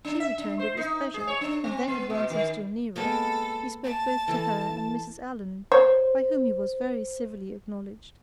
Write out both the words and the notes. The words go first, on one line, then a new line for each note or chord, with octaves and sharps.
She returned it with pleasure, and then advancing still nearer, he spoke both to her and Mrs. Allen, by whom he was very civilly acknowledged.
D4
E5
D4
C5
D#4
G#4
C#5
D4
C4
B3
B2
D#3
G#3 A#3 B3 A4
A5
E3 A4
C5 C#5